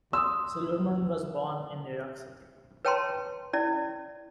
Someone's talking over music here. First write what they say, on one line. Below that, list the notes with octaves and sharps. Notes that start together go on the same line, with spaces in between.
Silverman was born in New York City.
C6 D#6 E6
B4 C#5 G5 A5 A#5 C6
C#4 E4 D5